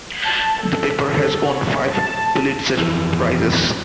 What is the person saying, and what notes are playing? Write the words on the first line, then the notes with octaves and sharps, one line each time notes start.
The paper has won five Pulitzer Prizes.
A5
A4
A4
C#5
A5
F2 E3